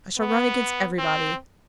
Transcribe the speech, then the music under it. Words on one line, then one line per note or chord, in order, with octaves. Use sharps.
I shall run against everybody.
B3
C4